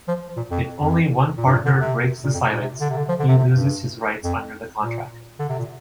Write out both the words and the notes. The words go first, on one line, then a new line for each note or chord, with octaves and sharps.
If only one partner breaks the silence, he loses his rights under the contract.
F3
A#2
F2
F2
A#2
G2
A#2
D3
C3
A#2
F2
A#2
C3
D3
C3
D3
F3
D3
C3
C3
G2
F2
A#2
D3
C3
A#2